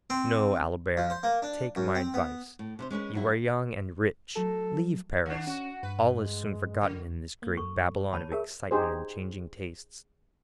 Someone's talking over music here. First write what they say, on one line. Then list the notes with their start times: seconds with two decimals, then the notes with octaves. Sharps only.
No, Albert, take my advice. You are young and rich--leave Paris--all is soon forgotten in this great Babylon of excitement and changing tastes.
0.10 C4
0.97 F3
1.10 C5
1.23 A#3
1.42 D4
1.76 F#2
1.95 C4
2.14 B3
2.59 A2
2.79 C3 B4 C5
2.91 G#3 C#4 G#4 B4
3.14 G2 F#3 E4
4.36 F#3 A3 A4 A#4
5.26 D#3 D4 F#5
5.47 C#4 F#4
5.83 G2 B4
6.13 G#3
6.82 C#3 A#4
7.42 A#3
7.57 F#2 F#3 A4 C#6
8.13 D#2 C#5 A5 B5
8.32 G#4 A#4 C#5 E5 A5
8.71 D#4 G4 G#4 C5